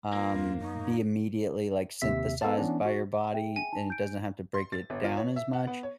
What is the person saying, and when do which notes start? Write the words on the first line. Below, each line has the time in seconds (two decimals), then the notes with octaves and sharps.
um, be immediately, like, synthesized by your body, and it doesn't have to break it down as much.
0.13 A#3 F4
0.34 E2 G2 C4
0.60 F#2 D#4 C#6
2.02 D#2 C3 E5 B6
2.42 B3 A4 F5 A5
2.58 E3 B3 C#4 D4
2.85 F#4
3.34 G#4 E5 G5
3.56 G#5
3.72 D#4 A5
3.90 G6 D7
4.54 C6
4.72 A6
4.90 G1
5.05 F4
5.17 C#5
5.36 E5
5.53 F#5
5.67 B3
5.83 C#5